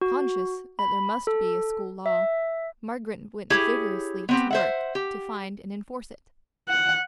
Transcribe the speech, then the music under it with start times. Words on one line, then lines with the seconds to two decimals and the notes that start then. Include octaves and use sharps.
Conscious that there must be a school law, Margaret went vigorously to work to find and enforce it.
0.01 F#4
0.79 B5
1.27 A4
2.06 E5
3.50 E4 G4 G#4 C#5
4.29 B3 C4 G4
4.51 C5 E5 F#5
4.95 G4
6.69 F#5